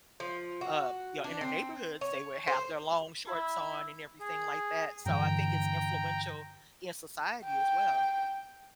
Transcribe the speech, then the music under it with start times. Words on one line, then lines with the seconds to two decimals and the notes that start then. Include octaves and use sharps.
uh, you know, in their neighborhoods, they would have their long shorts on and everything like that, so I think it's influential in society as well.
0.20 F3
0.61 F#4
1.24 D4
1.41 C4
2.01 C#5
2.47 C5
3.27 E4
4.20 G#4
5.06 G2 D3 E3 G5 A#5
7.45 G5